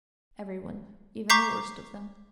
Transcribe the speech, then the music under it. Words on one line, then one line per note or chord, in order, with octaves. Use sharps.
Every one--even the worst of them.
A#5 C#6 D6 G6 B6 C7